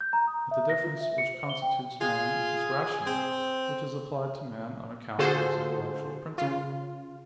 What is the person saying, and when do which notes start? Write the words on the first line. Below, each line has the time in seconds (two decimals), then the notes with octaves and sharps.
But the difference which constitutes man is "rational," which is applied to man on account of his intellectual principle.
0.01 G6
0.13 A#5
0.27 D#6
0.51 E5
0.70 A#6
0.84 F4
1.01 E5
1.18 C#7
1.34 C5
1.49 G7
1.62 G5
2.01 F4 G#4
3.07 C4
5.18 D3 F4 F#4 G#4 A4 C5
6.38 C#3 F4